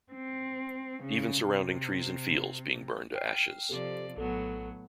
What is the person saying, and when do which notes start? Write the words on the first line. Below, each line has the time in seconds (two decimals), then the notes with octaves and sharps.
Even surrounding trees and fields being burned to ashes.
0.12 C4
1.02 C#3
1.42 C3
3.15 G5 F6 C7
3.69 C3 F3 G4 A4 D5
4.17 A#1 A2 F#3 B3 A4